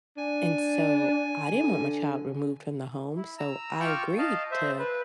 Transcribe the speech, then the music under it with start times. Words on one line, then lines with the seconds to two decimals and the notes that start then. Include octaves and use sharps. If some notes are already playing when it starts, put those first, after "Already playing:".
and so, I didn't want my child removed from the home, so I agreed to
0.17 D4 G#5
1.52 D3
3.16 E4
3.39 A#5 E6
3.80 F4 G5 C#6 D6 E6 F6
4.18 D#5 F5 A5
4.51 C5 E5
4.79 B4